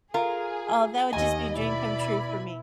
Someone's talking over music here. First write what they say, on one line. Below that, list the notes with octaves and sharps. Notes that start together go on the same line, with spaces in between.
oh, that would just be a dream come true for me.
F4 G#4 A#4
D#2 D#5 G#5
B2 E4 D5 B5